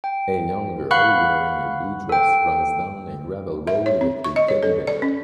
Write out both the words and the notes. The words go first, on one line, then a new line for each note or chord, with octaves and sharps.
A young girl wearing a blue dress runs down a gravel road with a teddy bear.
G5
F5 F#5 B5 C#6 F#6
A4 G5
E5
C#5
C4
C#6
D#5
C#5
A4
D5
C#4